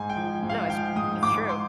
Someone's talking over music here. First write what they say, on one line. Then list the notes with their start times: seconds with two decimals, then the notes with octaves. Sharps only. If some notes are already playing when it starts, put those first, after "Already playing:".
No, it's it's true.
Already playing: G#2 G#5
0.09 G5
0.16 F3
0.43 G#2
0.49 F5
0.69 F3 G5
0.96 G#2 D#6
1.22 G#2 D6
1.49 C6